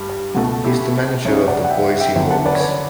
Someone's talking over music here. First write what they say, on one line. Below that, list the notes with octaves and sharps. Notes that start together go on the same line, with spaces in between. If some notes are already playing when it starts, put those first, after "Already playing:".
He is the manager of the Boise Hawks.
Already playing: G2 G3
C#2 B2 A3 F#4
F#4
E4 G4
C#2 C#3 G3 C#5 E5
D5 F#5
F#5
E5 G5
E5 G5
E2 D3 F#3 B3 E5 G5
F#5 A5
B4 D5
C#5
B4 D5